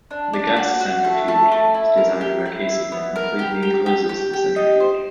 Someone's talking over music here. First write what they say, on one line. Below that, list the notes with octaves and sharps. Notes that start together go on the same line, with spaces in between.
The gas centrifuge is designed with a casing that completely encloses the centrifuge.
D4
D4
F#4
F#4
A3
A3
A3
E4
A#4
G4
E4
E4
B3
A#4
G4
G4
G4
G4
G4
D#5
C5